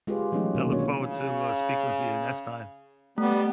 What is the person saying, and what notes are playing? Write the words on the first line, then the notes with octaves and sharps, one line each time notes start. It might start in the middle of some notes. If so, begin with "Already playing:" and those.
I look forward to, uh, speaking with you the next time.
G#3 F4 G4 G#4 B4
E3 F#3 A3 C#4 D#4 F4
B2 D#3 A#3
C#4 D4 E4 F#4 C#5
C#3
G3 A3 B3